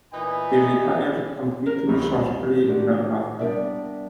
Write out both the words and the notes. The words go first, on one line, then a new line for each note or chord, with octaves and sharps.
He retired completely shortly thereafter.
A#2 E3 B3 D#4 G#5 B5
A#4
C#2 F#2 D#3 G3 A#3
A2 D#3 G#3 D4 F#4
G3 B3 D4 A#4 D5 E5